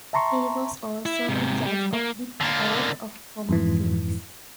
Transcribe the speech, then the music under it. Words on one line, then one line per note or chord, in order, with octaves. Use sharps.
He was also a judge of the court of common pleas.
E5 A5 A#5 C6 C#6
E4
G#2 C3
G3
A#3
D3 A#3
F2 G#2 E3